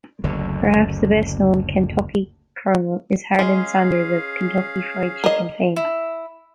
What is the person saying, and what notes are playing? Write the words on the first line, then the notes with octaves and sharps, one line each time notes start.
Perhaps the best known Kentucky colonel is Harland Sanders of "Kentucky Fried Chicken" fame.
F#1 D2 D3
G#3 C#4 G#4 F5
A#4 D#5
E4